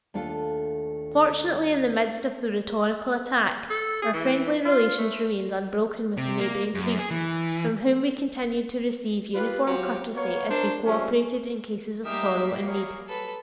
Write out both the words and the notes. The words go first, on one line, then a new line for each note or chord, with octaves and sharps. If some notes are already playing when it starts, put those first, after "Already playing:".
Fortunately in the midst of the rhetorical attack, our friendly relations remained unbroken with the neighboring priests from whom we continued to receive uniform courtesy as we cooperated in cases of sorrow and need.
D#2 A3 D4 F4 A4
A4
G#4
E3
F4
A3
C3
A#3
F#2
G#4
E3
F4 G4 B4
F#3 F4 G4 C5
A#3 B3 C#5
D4 A#4 C5
F3 G3 G#3 C#4
G3 A#3 D#4 G4 G#4 A#4 E5
F#3 G#4 A#4 C#6
F#3 A4 B4